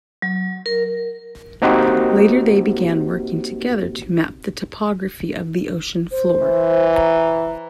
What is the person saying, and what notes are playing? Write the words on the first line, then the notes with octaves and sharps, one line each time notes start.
Later, they began working together to map the topography of the ocean floor.
F#3
A#4
A#3 C4 D#4 F#4 G4
C5
E3
A#5